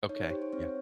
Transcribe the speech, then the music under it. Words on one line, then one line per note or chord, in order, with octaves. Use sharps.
Okay, yeah.
D#4 C#5
G4 C5
C5
C4 C#5